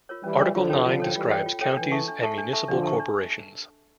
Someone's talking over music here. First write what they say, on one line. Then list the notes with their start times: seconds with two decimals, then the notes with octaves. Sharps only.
Article Nine describes Counties and Municipal Corporations.
0.09 F4 A#4 C#5
0.24 E3 G3 C#4
0.39 F4 A#4 C#5
0.54 D3 F3 F4
0.70 A4 C#5 G5
0.85 D3 F3 F4
1.00 A4 C#5 G5
1.16 E3 G3 F4
1.31 A4 C#5 G5
1.46 F4
1.61 A4 C#5 G5
1.77 E3 D4
1.92 A4 E5 A5 C#6
2.08 D4
2.23 A4 E5 A5 C#6
2.38 D4
2.53 A4 E5 A5 C#6
2.68 D3 F3 D4
2.83 A4 E5 A5 C#6
3.00 D4